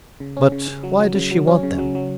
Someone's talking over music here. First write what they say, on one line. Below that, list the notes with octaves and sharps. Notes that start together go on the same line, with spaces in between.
"But why does she want them?"
C#3
C#4
C#3
C#3
F#3
F#3
C#3
F#3
C#4
C#3
F#3
F#3